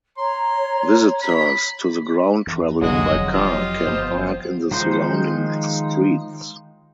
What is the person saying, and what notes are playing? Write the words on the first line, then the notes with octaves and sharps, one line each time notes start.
Visitors to the ground travelling by car can park in the surrounding streets.
C#5 A#5 C6
B5
E2
F1 C2 F2 D3 F#3 G#3 F#4 D#5
F1 F2
F4 G4 D#5
G1 F3 B3 C5
D#3 F3 G#3 D#4 C5